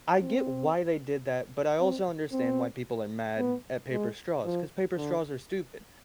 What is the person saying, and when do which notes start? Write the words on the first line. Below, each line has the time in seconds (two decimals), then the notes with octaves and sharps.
I get why they did that, but I also understand why people are mad at paper straws, cause paper straws are stupid.
0.21 C4
1.80 C4
2.32 C4
3.38 B3
3.91 G#3
4.44 F3
4.97 D3